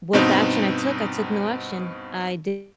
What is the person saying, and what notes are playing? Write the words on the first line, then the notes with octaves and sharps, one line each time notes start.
what the action I took, I took no action. I didn't
G2 B2 B3 C4 D#4